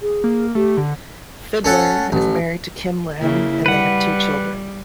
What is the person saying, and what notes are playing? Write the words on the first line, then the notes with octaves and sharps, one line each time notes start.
Fidler is married to Khym Lam and they have two children.
G#4
A#3
A3 G4
D3
C#4 A4 F#5
A1
C#3 A#3 E4
G3 B4 F#5